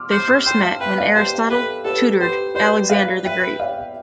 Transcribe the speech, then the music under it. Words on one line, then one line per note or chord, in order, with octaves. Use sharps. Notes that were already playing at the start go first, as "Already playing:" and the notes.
They first met when Aristotle tutored Alexander the Great.
Already playing: C6 D6 E6 F6
C5 D6 F6
C6 E6
C5 G5 B5
F5 A5
B4 E5 G5
D5 F5
G4 B4 C5
A4 B4
G4 A4 B4
G4 B4 C5
B4 C5 D5
B4 D5 F5
B4 E5 G5
D5 F5